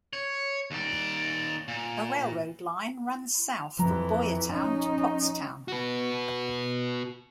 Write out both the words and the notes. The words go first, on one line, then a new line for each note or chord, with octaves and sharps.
A railroad line runs south from Boyertown to Pottstown.
C#5
D#2 D5
A#2
F2 E3 F3 A#5
C#4 D#4
F#4 B4